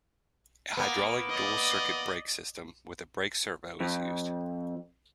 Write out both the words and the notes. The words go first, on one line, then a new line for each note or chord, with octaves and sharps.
A hydraulic dual circuit brake system with a brake servo is used.
A#3 B3
D5 D#5
F2